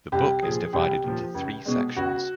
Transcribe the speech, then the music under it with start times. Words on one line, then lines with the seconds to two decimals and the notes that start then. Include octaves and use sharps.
The book is divided into three sections.
0.12 C2 G4
0.43 A#2 F3 G#4
0.73 C2 G4
1.04 A#2 F3
1.35 C#2
1.66 B2 G#3
1.96 C#2 F#4